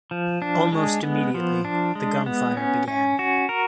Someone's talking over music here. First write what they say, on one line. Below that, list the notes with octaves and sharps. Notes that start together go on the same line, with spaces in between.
Almost immediately, the gunfire began.
F3
D4
G#3
B3
F3
D4
G#3
B3
C#4
C#4
F#4
A#4